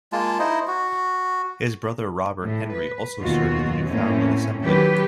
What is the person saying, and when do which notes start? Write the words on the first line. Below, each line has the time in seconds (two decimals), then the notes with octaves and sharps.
His brother Robert Henry also served in the Newfoundland assembly.
0.12 G#3 A#3 F4 A5
0.39 D#4 E4 C5 D#5
0.68 F#4
2.43 A2
2.74 B4
3.22 D#2 B2 F4 F#4
3.87 A2 A#3 C4 C#4
4.63 D#3 F#3 G4 B4